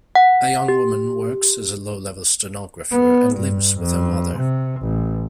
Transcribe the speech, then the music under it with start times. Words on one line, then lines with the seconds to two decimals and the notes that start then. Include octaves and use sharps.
A young woman works as a low-level stenographer and lives with her mother.
0.15 F#5
0.68 G4
2.91 B3
3.36 G2
3.80 F2
4.37 C3
4.81 A1